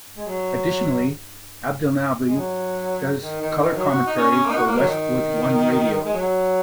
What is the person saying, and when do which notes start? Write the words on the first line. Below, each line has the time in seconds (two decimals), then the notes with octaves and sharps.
Additionally, Abdelnaby does color commentary for Westwood One Radio.
0.17 G#3
0.26 F#3
2.27 G#3
2.36 F#3
3.20 D#3
3.41 D#3
3.62 D#3
3.75 F#3
3.90 F#4
4.06 D#4
4.18 C#4
4.32 C#4
4.46 A#3
4.51 D#4
4.56 F#4
4.66 A#3
4.77 F#3
4.87 D#3
6.05 G#3
6.13 F#3